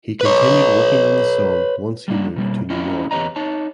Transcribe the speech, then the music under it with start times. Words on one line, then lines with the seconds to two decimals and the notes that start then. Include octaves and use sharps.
He continued working on the song once he moved to New York.
0.21 B4 C#5
2.08 G3 A#3 D4
2.36 B2 G3 A#3
2.70 C#4 E4 F4 D#5 G5
3.11 E2 G4 B4 C#5 D#5 A#5
3.36 D#4 C#5 A5